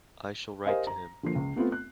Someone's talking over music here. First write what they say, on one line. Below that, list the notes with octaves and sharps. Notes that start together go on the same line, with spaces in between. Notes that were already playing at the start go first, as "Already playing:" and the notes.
I shall write to him.
G4 A#4 C5 D#5 F5 G#5
A#5
D3 F3 A#3 C7
C#2
A3 B3 C4 F4
F#6